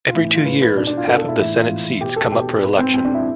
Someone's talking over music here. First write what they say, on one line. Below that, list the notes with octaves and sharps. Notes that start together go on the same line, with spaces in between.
Every two years, half of the senate seats come up for election.
F4
A2 E3 E4
E4
F4
A2 E3 B4
B4
B2 D4
D4
F4
B2 A4
A4
E4
A2 E3 E4
F4
A2 E3
B2 G4
A4
B2 G4
B2 B4
C4
B2 C4
D4
E4